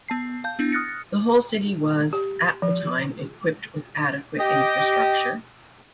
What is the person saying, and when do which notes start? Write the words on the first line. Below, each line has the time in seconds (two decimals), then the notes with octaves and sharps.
The whole city was, at the time, equipped with adequate infrastructure.
0.09 B3 A5 C7
0.44 F5 A5 G6
0.59 B3 D4 E4
0.72 D#6 F6 F#6 A6 A#6 C#7
2.13 G4
2.62 F3
4.40 G4 D#5